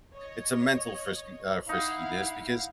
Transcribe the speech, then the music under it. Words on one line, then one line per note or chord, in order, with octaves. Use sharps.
it's a mental frisky uh, friskiness because
C#5 D#5
D#4 E4 F5 F#5